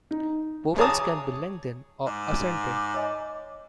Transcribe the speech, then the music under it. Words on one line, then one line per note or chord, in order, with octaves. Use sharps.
Vowels can be lengthened or accented.
D#4
G#4 C#5 A5 A#5 D6 D#6
G#2 D6
C#5 D#5 G#5